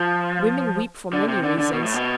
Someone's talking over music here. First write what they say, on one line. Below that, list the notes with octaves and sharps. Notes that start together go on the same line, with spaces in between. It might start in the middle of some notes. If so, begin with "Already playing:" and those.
Women weep for many reasons.
Already playing: F3
D3
C3
D3
D3
B2
A2
B2